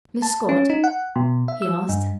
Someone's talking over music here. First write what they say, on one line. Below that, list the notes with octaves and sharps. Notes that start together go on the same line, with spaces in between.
"Miss Scott?" he asked.
A5
C#4
D#4
F#5
B2
E5
E6
G2